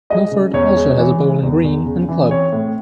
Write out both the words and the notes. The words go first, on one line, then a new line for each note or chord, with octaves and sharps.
Milford also has a Bowling Green and club.
G#3 D#5
C#3
E2 C#5
G#3
E3
G#3
E2
E2
C#3
E3
C4 C#5
A2